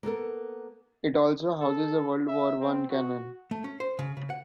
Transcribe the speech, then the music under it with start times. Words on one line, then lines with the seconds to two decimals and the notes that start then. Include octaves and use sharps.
It also houses a World War One cannon.
0.03 A#3 B3 A4 A#4
1.61 A4
2.28 E5
2.61 C4
2.90 F#4
3.51 A3
3.64 C#4
3.80 C5
3.99 C#3
4.17 C#3
4.30 F#5